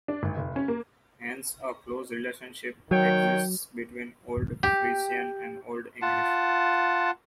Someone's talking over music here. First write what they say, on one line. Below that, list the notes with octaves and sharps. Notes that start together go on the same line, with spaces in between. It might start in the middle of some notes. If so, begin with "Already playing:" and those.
Hence, a close relationship exists between Old Frisian and Old English.
D4
G#1
F1
C#4
A#3
D#3 F#3 C#5 G5
G4
F4 F#5 A5